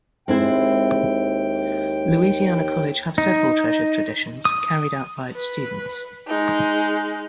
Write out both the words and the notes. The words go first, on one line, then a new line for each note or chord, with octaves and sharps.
Louisiana College have several treasured traditions carried out by its students.
D#2 G#3 C4 E4 G5
D#4
D#6
B4
G#3 D#4